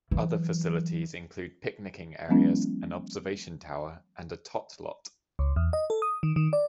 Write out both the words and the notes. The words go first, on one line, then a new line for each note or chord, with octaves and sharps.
Other facilities include picnicking areas, an observation tower, and a tot lot.
E3 F#3
E3 F#3 G#3 B3 C#4 E4
C#2
E2
D#5
A4
D#6
D#3
D#3
D5